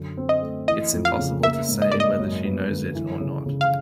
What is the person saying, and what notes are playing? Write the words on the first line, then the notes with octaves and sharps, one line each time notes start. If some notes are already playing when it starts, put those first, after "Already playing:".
It's impossible to say whether she knows it or not.
Already playing: F#2 D3
C4
D#5
A3
E3 D#5
F2
F5
C#3
A#3 E5
G#2
D#5
A#3 D5
D#5
F#2
B3
D3
E3
C#3
C#3
F5